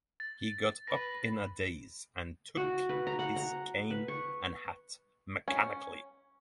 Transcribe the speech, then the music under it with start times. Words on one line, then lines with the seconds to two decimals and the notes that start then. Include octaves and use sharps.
He got up in a daze and took his cane and hat mechanically.
0.20 A6
0.87 B4 A#6
2.57 F#4
2.89 B4
3.07 A#5
3.19 F#5
3.36 A#5
3.91 B4
4.08 C#6
5.48 C#4